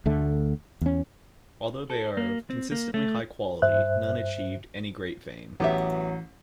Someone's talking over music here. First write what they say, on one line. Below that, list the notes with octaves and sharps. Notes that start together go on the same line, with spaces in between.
Although they are of consistently high quality, none achieved any great fame.
D2 D3 A3
E2 C#4
A4
A#3
C4
A#3
A3
G2 C5 E5 F#6
A1 E3 F#3 B3 G4 E5